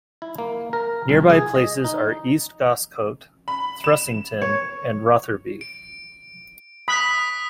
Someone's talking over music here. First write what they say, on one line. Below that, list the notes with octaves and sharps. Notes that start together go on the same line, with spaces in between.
Nearby places are East Goscote, Thrussington and Rotherby.
E4
A#3
A#4
C2
G#4
D#5
D#4
B5
E7
C#5
D7
B5 D#6 F#6 B6